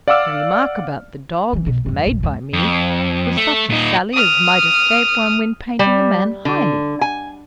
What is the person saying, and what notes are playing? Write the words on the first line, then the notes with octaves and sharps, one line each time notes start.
The remark about the dog, if made by me, was such a sally as might escape one when painting a man highly.'
D5 F5 F#5 D6 E6 F6
E3 F#3
B1 B2
F2 G#2
F1 A#1
D#2 G#2
F2
A3
A#2 D#4
D#6 F6
G3
D3
G#5